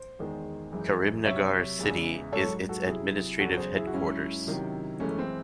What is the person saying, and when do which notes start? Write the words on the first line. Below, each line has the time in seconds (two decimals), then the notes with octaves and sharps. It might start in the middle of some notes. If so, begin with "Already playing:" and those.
Karimnagar city is its administrative headquarters.
Already playing: C5
0.19 E2 D#3 G#3
0.72 F#2 E3 G#3
1.26 C3 F#3 C#5 E5
1.79 E2 C#3 E3 G#3
2.32 G#2 F#3 A4 C#5
2.69 F#4 A4
2.87 C3 F#3 E4 G#4
3.39 E2 C#3 F#3 F#4 A4
3.57 G#4 C5
3.75 E4 G#4
3.87 F#4
3.93 G#2 F#3 C#4 E4
4.47 C3 D#3 F#3
5.00 F#2 E3 G#3 A3 C#4
5.19 C4